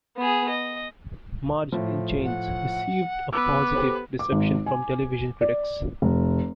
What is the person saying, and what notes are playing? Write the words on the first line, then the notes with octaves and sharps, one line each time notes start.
"Marge in Chains" received a positive reception from television critics.
B3 G#4
D#5
A2 F3
F#5
B3 B4 D6 E6
G4 A4 C5
D6
G#1
G#5
D5
F1